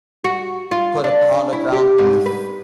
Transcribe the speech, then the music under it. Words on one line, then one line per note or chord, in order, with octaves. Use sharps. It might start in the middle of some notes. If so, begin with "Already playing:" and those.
put a pound of ground beef
F#4
F4
D4
E4
G4
G#2
B4